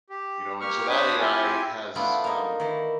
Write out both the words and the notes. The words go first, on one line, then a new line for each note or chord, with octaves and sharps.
you know? And so, that AI has, um
G4
A#3 G4 C#6 F6
D4 C5 C#5 B5 D#6
C4 E4 F4 G4 G#5
A3 B3 D4 E4 F4
A#3 D#4
D#3 E3